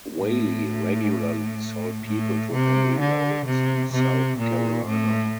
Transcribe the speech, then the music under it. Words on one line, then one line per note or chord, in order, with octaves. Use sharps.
Whaley regularly sold people to Henry Laurens in South Carolina.
A2
A2
C3
D3
C3
C3
A#2
A2